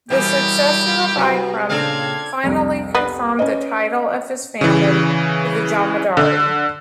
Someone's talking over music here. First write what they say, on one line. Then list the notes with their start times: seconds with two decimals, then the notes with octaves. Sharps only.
The successor of Ikram finally confirmed the title of his family to the Jamidari.
0.10 B2 E3 G3 E4 G4 A#4
1.17 C3 F#4 B4
1.69 A#2 C#3 C4 D4 A4 F5 G#6
2.43 C2 F2
2.95 B3
3.39 C#4 B4 D#5
4.61 C#3 E3
6.17 D3